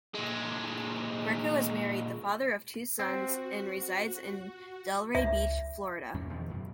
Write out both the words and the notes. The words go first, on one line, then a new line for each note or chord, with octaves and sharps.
Greco is married, the father of two sons, and resides in Delray Beach, Florida.
A#2 G#3
C4 F#4
C#2 E5
E2 G#2 C3 C#4
E2 B2 D#3 F3
F#2 B2